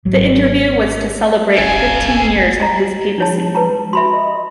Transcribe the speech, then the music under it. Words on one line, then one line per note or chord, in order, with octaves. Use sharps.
The interview was to celebrate fifteen years of his papacy.
G#1 F#3
D#1 G#1 C#4 A4 F5 G#5
G#5 A#5
F3 G#3 D#4 C#5 A5
B4 A5 A#5
F#4 E5 B5 C6
D#5